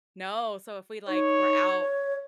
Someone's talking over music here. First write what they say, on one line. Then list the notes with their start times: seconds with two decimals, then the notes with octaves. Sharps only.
No, so, if we, like, were out,
1.08 D#4 C#5
1.80 C#5